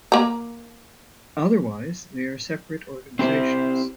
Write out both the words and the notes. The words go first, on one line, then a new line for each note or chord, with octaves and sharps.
Otherwise, they are separate organizations.
A#3 A#5
C4 E4 G4 B4 C5